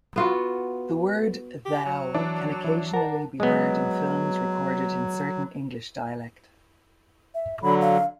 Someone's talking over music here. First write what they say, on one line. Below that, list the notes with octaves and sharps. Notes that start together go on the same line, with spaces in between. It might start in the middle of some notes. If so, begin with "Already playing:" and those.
The word "thou" can occasionally be heard in films recorded in certain English dialect.
B3 F4 F#4
G4
F#3
E3 D4
E3
A#4 F#5 A5
F#3 G#3 B3
E5
D3 F#3 B5
F5